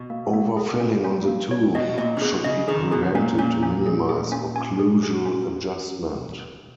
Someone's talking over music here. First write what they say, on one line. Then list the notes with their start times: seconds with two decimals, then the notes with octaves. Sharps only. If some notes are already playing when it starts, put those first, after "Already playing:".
Overfilling on the tooth should be prevented to minimize occlusal adjustment.
Already playing: B2
0.10 A#3
0.33 A#3
0.57 G#4
0.80 C#4
1.04 C#4
1.28 A#3
1.51 C#5
1.75 B2 D#5
1.98 A#2 D#5
2.17 C#3
2.21 B2 G#4
2.44 C#3 D#5
2.68 D#3 G#4
2.91 B2 G#4
3.15 A#2 C#4
3.38 A#2 C#4
3.63 C#4
3.86 G#4
4.09 G#4
4.32 C#4
4.56 G#5
4.79 G#4
5.03 G#4
5.26 C#4